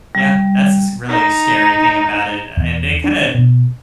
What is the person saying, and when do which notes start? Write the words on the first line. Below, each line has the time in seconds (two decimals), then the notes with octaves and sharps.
Yeah, that's this really scary thing about it, uh, and it kinda
0.15 G3
1.08 D#4
2.57 E2
3.04 D4
3.35 B2